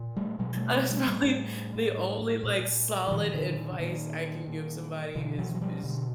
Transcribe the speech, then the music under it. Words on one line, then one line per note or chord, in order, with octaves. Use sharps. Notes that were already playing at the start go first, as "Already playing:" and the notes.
That is probably the only, like, solid advice I can give somebody is is
Already playing: A#2
G3 A3
B2 F#3 G#3
G3 A3
G#3 A#3
G3 A3
A2 G3 A3
A2
A#2
E3
A#2 D#3 F3
D3 E3
D#3
D3
A#2 D#3
A#2
B2 D3 E3
E3 F#3
F#3
F3 G3
B2 D3